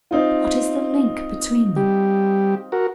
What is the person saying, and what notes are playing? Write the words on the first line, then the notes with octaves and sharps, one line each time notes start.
What is the link between them?
C4 D#4 F4
G3 G4
F#4 A#4